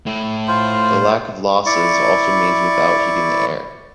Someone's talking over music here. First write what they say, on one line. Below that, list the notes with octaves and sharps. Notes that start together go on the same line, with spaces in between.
The lack of losses also means without heating the air.
A2
F4 C5
E4 D5 C#6